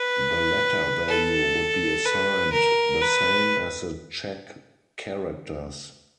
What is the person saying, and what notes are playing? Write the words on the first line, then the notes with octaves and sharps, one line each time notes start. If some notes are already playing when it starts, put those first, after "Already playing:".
The letter value would be assigned the same as the check character's.
Already playing: B4
A4
B4
A#4
B4